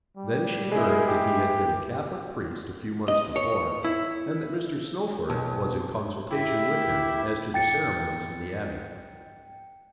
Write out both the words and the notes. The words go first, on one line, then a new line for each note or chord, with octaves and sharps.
Then she heard that he had been a Catholic priest a few months before, and that Mr. Snowford was in consultation with him as to the ceremonies in the Abbey.
G3
G#3 E4 G#4
G4
D#5
C#5
E4
B1
E4 G4 E5
G5 A6 C#7